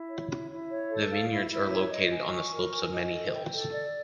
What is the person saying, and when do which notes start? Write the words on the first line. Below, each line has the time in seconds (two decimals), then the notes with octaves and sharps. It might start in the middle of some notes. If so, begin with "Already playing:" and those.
The vineyards are located on the slopes of many hills.
Already playing: E4
0.09 C#5
0.30 E4
0.50 E4
0.70 C#5
0.90 A4
1.10 F5
1.30 E4
1.50 E4
1.71 C#5
1.91 D#5
2.11 G#5
2.31 C#6
2.51 A#4
2.71 G#5
2.91 D#5
3.11 A4
3.32 G5
3.51 A4
3.72 D5